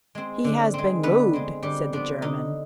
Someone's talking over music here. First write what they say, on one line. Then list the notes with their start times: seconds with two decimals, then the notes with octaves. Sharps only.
"He has been moved," said the German.
0.15 G#3 C4
0.44 D3
0.74 G#3 C4
1.03 D3 B3 B4
1.33 G#3 C4
1.63 D3 G3 G4
1.93 F3 B3 D4
2.22 D3 D#4